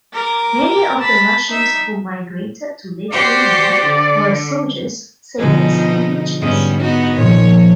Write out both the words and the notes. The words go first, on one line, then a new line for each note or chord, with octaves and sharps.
Many of the Russians who migrated to Lithuania were soldiers, sailors, and merchants.
A#4 D6
A5 B5
D#4 E5
F#4 G4 C5 D5
D3
B2 D3 F3 D#4 G#4
G#2 G3 B3 C#4 D#5
B3 D#4 F#4
A#2 D#3 F3 C#5